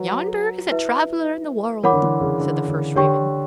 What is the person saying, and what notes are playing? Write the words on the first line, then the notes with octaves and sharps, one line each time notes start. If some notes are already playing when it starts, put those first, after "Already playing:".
"Yonder is a traveller in the world," said the first raven.
Already playing: F#3 B4 F#5
E4 B4 E5
E3 A#4 C#5 F#5 B5 D6
D3
E3
C#3
D3
D3
D3 G4 C#5 G5 C#6